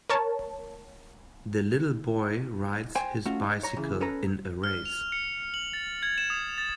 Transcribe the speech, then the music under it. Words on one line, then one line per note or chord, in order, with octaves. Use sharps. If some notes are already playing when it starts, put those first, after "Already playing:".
The little boy rides his bicycle in a race.
A#4 C#5 A5
C5 G5 G#5
A3 C#4 F4 F#4
D#4
C#5 A#5
C#3 E3
C#4 A4 B4 A#5
F6
F7
C#7
F#7
A6
G#6
E7
D#6
A6